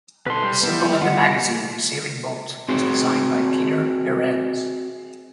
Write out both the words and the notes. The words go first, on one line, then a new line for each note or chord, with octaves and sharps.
The symbol of the magazine, a sailing boat, was designed by Peter Behrens.
B2 A4 B4 C6
G3
B3 E4
G3 F4 F#5
C4 F#4 G#4